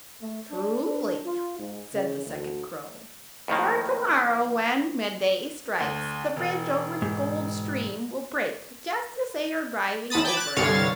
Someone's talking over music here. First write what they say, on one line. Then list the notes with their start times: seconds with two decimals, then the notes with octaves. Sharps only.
'Truly,' said the second crow; 'for to-morrow, when midday strikes, the bridge over the Gold Stream will break just as they are driving over it.
0.20 A3
0.51 D4
0.84 D4
1.26 F4
1.59 G#2
1.93 C#3
2.25 D2
3.48 F2 A2 D#3 A#3
5.80 D2
6.36 E1
7.02 G#2
10.10 E2 A5 B5 D#6 A6
10.25 G5 A5 B5 D6 G#6
10.37 F#6 A6
10.56 C2 G2 D3 C#5 F5 A6